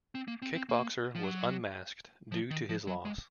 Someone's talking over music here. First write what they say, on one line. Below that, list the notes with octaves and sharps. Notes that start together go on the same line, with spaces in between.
Kick Boxer was unmasked due to his loss.
C4
A#3
C4
C4
A#3
F3
F#3
F3
D#3
F3
F#3
G#3